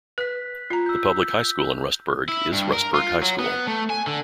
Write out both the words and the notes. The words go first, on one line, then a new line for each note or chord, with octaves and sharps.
The public high school in Rustburg is Rustburg High School.
B4 F#6 B6
F4 A#5
E6 G6
E4
G2
A#4
F4
F#3
B3
A3
G#5
D3